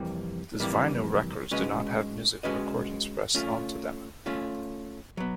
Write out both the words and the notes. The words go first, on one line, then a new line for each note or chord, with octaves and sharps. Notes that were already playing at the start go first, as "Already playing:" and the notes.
These vinyl records do not have music recordings pressed on to them.
Already playing: F2 C3 E3 G3 A#3
F2 C3 E3 G3 A#3
G#3 C#4 F#4 B4 D#5
G#3 C#4 F#4 B4 D#5
A3 C#4 F4
A3 C#4 F4
F#3 B3